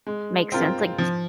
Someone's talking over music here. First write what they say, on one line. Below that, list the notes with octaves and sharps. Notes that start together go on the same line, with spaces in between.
Makes sense, like,
G#3
C4 F4 A#4
F3